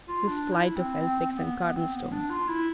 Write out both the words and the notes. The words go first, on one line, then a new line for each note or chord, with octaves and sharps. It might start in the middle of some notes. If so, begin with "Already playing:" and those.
"This flight of Elphick's and Cardlestone's."
F4
D4
E4
C4
C4
C4
C4
B3
B3
C4
B3
D4
F4
E4